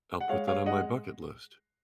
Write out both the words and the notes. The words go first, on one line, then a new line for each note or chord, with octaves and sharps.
I'll put that on my bucket list.
F#5
G#3 C#5 F5
G#3 C#5 F5
G#3 D#5 F#5